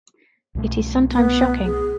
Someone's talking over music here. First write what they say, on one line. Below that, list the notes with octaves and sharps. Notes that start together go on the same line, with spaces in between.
It is sometimes shocking.
C2 B2 A3
B3
G#4